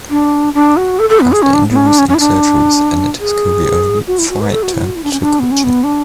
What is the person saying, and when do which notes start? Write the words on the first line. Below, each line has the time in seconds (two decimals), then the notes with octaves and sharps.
After injuries and surgeries ended his career early, Frye turned to coaching.
0.10 D4
0.54 D4
0.77 F#4
0.99 A4
1.09 A4
1.20 B3
1.32 G#4
1.42 C#4
1.54 D4
1.71 B3
1.76 C#4
1.87 D4
1.98 C#4
2.09 C#4
2.14 E4
2.20 D4
3.19 G#4
4.07 F#4
4.18 E4
4.30 F#4
4.41 B4
4.51 A4
4.63 F#4
4.73 E4
4.84 F#4
4.96 E4
5.04 D4
5.12 C#4
5.21 D4
5.40 B3
5.51 C#4
5.64 B3
5.84 D4